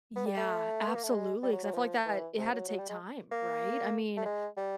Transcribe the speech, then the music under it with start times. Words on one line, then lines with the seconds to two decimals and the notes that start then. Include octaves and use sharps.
Yeah, absolutely, 'cause I feel like that, it had to take time, right? I mean,
0.16 B3
0.26 G3
0.37 A3
0.87 B3
0.95 A#3
1.03 A3
1.11 G#3
1.43 G3
1.53 F#3
1.64 F#3
1.74 F3
2.05 E3
2.37 C3
2.53 F#3
2.68 F#3
2.78 G3
2.89 G#3
3.31 A#3
4.17 A3
4.25 G#3
4.57 G3